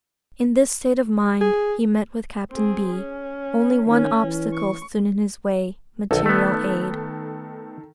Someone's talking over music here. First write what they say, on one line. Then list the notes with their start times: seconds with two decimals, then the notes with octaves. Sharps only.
In this state of mind he met with Captain B. Only one obstacle stood in his way--material aid.
1.41 G#4
2.51 C4 G#4
2.96 C#4
3.87 D#3 C#4
4.22 E3
4.54 C#6
6.11 B1 D#3 A4 E6
6.26 A3 B3